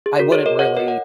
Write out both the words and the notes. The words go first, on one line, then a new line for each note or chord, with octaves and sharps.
I wouldn't really
G#4
F#4 A#4
G#4 C#5
A#4 D#5
C#5 F#5
A#4 D#5
F#5